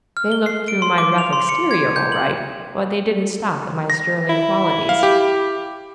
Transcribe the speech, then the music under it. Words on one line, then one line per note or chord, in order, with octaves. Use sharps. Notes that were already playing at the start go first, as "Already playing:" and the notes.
They looked through my rough exterior all right, but they didn't stop at my sterling qualities.
F6
G7
C7
D7
C6
D6
F7
C6
C#7
G#6
G6
F#7
A#6
E4
F5
G4